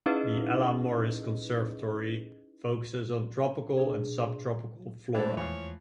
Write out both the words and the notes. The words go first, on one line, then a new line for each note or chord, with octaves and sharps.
The Ella Morris Conservatory focuses on tropical and subtropical flora.
C#4 D#4 E4 G#4 B4 D#5
B2 D4 G#4
E3 G#3 A3 D4 A4
E2 E3 F3 F4 C#5